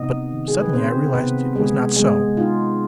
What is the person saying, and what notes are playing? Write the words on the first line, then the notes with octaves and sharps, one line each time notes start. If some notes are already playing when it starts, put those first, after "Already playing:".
But suddenly I realized it was not so.
Already playing: C3 B3 D#4 D#5
D#3
G#4
B4
B3 C4 C5
C3 B3 B4
G#3 B3 G#4
G#3 B3 G#4
D#4 F4